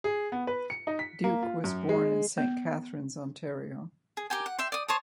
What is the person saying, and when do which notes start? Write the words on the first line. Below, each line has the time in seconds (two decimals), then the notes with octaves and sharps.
Duke was born in Saint Catharines, Ontario.
0.04 G#4
0.32 B3
0.47 B4
0.70 C#7
0.87 D#4
0.99 B6
1.24 A#3
1.43 F4
1.64 F#2
1.89 G#3
2.38 B3
4.17 G#4
4.30 G4 A#4 G5 G#5
4.46 F#5
4.58 E5 G5 C6
4.72 D5 D#6
4.88 C5 C#5 A5 D#6